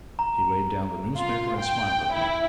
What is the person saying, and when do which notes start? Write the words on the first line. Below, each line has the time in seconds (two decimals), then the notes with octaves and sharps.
He laid down the newspaper and smiled at me.
0.19 A#5
1.17 F4
1.58 G5
2.13 E4